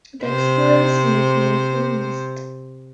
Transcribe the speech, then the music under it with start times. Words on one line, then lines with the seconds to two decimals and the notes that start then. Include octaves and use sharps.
The experience made me a feminist.
0.24 C3 C5